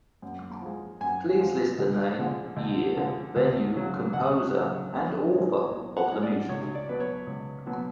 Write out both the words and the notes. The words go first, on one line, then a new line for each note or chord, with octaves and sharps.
Please list the name, year, venue, composer, and author of the musical.
F#2
F3 G#3
F#2 G#5
F3 G#3
D2
D3 F3 G#3
D2
D3 F3 G#3
D2
C#3 F#3
D2 F#5
C#3 F#3
B1
A2 G#3
B1
F#5
A2 G#3
D5
C#2 C#5
D5
B2 F#3 B4
C#5
C#2
B2 F#3